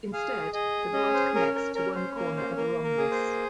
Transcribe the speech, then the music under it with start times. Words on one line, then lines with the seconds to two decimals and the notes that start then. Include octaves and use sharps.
Instead, the rod connects to one corner of a rhombus.
0.13 G#4 F5
0.53 G#4 D#5
0.93 C#4 D#5
1.14 C5
1.35 C#4 A#4
1.55 A#4
1.75 C#4 A#4
1.95 C5
2.16 A#3 A#4
2.37 C5
2.56 A#3 A#4
2.84 A#4
2.97 G#4
3.11 C5